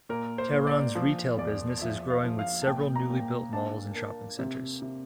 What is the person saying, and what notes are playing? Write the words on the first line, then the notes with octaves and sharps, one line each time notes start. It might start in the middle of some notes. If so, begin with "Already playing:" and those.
Tehran's retail business is growing with several newly-built malls and shopping centers.
A#2 A#4
C5
A#2
D5
F3 C5
E2 D5
F3 E5
F5
F3
F5
A5
A#2 G5
A#5
A#2
D4 A5
A#3
C3
C3